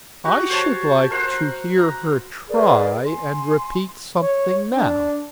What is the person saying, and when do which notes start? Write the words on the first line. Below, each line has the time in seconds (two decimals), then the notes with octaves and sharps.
'I should like to hear her try and repeat something now.
0.25 F#4 G4
0.50 C5 C#5 A5
1.10 A#4 C5 F#5
1.78 A#5
2.48 G#4 A#4 B4 D5
3.05 G#5 C6
4.21 C#5
4.76 D4